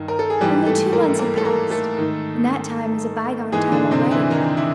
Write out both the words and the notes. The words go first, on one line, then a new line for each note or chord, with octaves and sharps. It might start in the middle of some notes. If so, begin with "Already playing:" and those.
Only two months have passed, and that time is a by-gone time already!
Already playing: G2 D#3
A#4
A4
G#4
G#2 E3 G3 G4
A3 A4
A#3 A#4
A#3 A#4
A4
A#3 A#4
A3 A4
G#2 D#3
G#2 E3 G#3 G#4
D3 D4
C3 C4
E3 E4
D#3 D#4
E3 E4